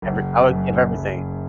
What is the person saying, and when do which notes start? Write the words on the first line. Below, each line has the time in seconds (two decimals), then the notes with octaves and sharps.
every I would give everything.
0.02 F#1
0.48 F#2
0.94 F#1